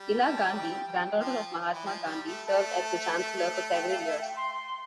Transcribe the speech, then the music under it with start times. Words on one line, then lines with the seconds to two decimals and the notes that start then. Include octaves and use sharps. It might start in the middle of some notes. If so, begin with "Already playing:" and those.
Ela Gandhi, granddaughter of Mahatma Gandhi served as the Chancellor for several years.
Already playing: G3
0.25 A5
0.57 G5
1.20 F3
1.73 E3
1.85 F3
2.05 G3
2.26 A3
2.47 A3 A5
3.74 G5
3.90 F5
4.05 E5
4.21 G5
4.37 C6